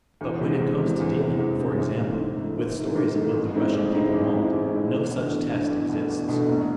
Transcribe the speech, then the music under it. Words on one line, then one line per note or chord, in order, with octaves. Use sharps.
But when it comes to dealing, for example, with stories of what the Russian people want, no such test exists.
E2
C3 E3 G#3
E2
C3 E3 G#3
E2
C3 E3 G#3
E2
C3 E3 G#3
G#1
G#2 E3 A3
G#1
G#2 E3 A3
G#1
G#2 E3 A3
G#1
G#2 E3 A3
A1
G#2 G#3 C4 E4
A1
G#2 G#3 C4 E4
A1
G#2 G#3 C4 E4
A1
G#2 G#3 C4 E4
E2
B2 A3 D4
E2
B2 A3 D4
E2
B2 A3 D4
E2
B2 A3 D4
E1